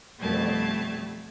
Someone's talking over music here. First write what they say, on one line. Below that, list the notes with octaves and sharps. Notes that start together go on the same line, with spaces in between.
They are,
F2 B2 G3 A3 A5 G#6